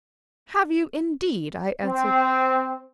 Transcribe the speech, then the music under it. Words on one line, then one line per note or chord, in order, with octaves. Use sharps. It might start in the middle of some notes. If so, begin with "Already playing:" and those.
'Have you, indeed?' I answered.
C4